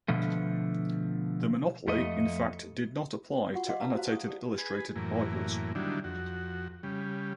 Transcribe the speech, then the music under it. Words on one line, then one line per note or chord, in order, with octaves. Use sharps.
The monopoly in fact did not apply to annotated or illustrated Bibles.
B2 D3 F3 A3
F2 A3 D#5
F4 F#4 F#5 C#6
D5 D#5 F5 F#5 C6 D6
G4 B4 F5 A5 A#5
F#4 C5 F5
C#6 D#6
G4 A4 D5
G#4 B4
F#2 A2 E3 A#3
D3 D#3 F#3 G3 D4 E4
F2 F#4
C#3 G3